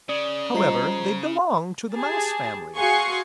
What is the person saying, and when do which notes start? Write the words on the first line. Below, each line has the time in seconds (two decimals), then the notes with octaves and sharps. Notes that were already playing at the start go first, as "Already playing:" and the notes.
However, they belong to the Mouse family.
0.09 C#3 D5 D#6
0.54 G3 F4 C5 D#5 A#5 C7
1.95 G4 G#4 A5
2.76 F#4 G#4 F5 G#5 C6 C#6